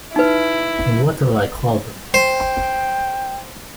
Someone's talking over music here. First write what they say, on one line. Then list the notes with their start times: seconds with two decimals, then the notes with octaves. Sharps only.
What'll I call them?
0.16 D#4 E4 B4
2.14 C5 G5